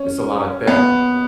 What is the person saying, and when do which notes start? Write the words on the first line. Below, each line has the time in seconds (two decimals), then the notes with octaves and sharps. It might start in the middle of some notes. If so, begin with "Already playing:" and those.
It's a lot of theft.
Already playing: C#4
0.67 B3